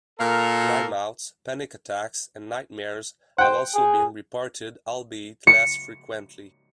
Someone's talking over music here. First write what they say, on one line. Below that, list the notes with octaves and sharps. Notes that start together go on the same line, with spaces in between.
Dry mouth, panic attacks, and nightmares have also been reported, albeit less frequently.
A#2 A#3 A4 A#4
C5 F#5 G5
G#4
C#7